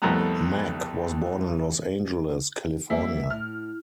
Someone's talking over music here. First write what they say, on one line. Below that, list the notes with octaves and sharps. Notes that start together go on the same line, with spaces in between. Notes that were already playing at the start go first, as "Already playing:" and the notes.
Mack was born in Los Angeles, California.
C2 F2 A3 B3 A#5
F#3 G3 A#3 E5
A2 F6